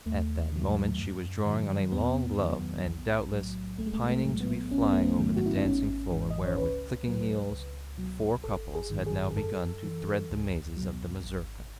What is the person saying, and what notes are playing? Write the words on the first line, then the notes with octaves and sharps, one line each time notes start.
At that moment she was drawing on a long glove and, doubtless, pining to be flying over the dancing-floor, where, with clicking heels, four couples had now begun to thread the mazes of the mazurka.
D#2 A3
D#3 F#3
F#2
D#3 F#3
E2 B3
D#3 F#3
B1
A2 F#3
B1 A3
G#3
A3
G#3
A3
A2 F#3
B3
A1 C#4
B3
A3
B3
G#2 D#3 F#3
F#4
E4
D#4
G#1 C#4
G#2 E3
D#5
C#5
C#2 B4
B2 F#3
C#2
B2 F#3
G#1 A4
G#4
G#2 D#3
G#4
G#4
F#2 A4
E3
C#2
B2 F#3
G#1